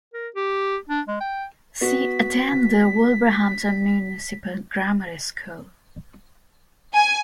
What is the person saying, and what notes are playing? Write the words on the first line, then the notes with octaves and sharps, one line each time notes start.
She attended the Wolverhampton Municipal Grammar School.
A#4
G4
D4
G#3
G5
B3 F#4 B6
G#5